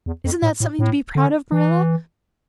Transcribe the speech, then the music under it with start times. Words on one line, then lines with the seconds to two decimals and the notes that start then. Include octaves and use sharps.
Isn't that something to be proud of, Marilla?
0.06 E2
0.24 F2
0.42 A2
0.60 A2
0.79 A2
1.15 D3
1.52 E3